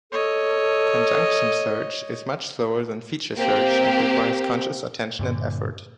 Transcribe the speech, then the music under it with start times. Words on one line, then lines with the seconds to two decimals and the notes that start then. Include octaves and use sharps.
Conjunction search is much slower than feature search and requires conscious attention and effort.
0.12 A4 C#5 D#5
3.37 A#3 C4 G4
5.19 G2 A#2 D3